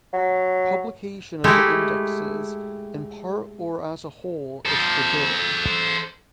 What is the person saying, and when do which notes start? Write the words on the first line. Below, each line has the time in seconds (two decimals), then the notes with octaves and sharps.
Publication of the indexes, in part or as a whole, is forbidden.
0.13 F#3
1.44 G#3 A3 E4 G4
4.66 A4 C5